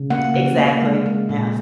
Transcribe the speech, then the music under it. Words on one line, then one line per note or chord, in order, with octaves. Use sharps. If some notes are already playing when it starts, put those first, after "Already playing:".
Exactly, yes.
Already playing: C#3
A#3 F#5
C#3
A#3
G#3
G#3
A#2